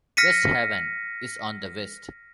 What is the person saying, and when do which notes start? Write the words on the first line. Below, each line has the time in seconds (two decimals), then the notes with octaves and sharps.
West Haven is on the west.
0.17 F6 A#6 B6 C#7 D#7